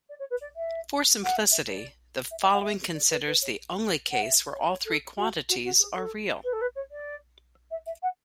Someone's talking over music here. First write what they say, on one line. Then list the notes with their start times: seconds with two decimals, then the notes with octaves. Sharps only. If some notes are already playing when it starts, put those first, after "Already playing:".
For simplicity, the following considers only the case where all these quantities are real.
0.09 D5
0.19 C#5
0.30 B4
0.41 D5
0.56 E5
1.23 F#5
1.36 E5
1.51 E5
1.67 D5
2.30 E5
2.41 E5
2.52 F#5
2.62 E5
2.94 D5
3.10 B4
3.26 B4
3.41 C#5
4.11 F#5
4.21 E5
4.52 C#5
4.69 C#5
4.85 A4
5.16 F#4
5.48 F#4
5.63 F#4
5.79 G#4
5.95 A4
6.44 B4
6.52 A4
6.61 B4
6.75 C#5
6.91 D5
7.70 E5
7.86 E5
8.02 F#5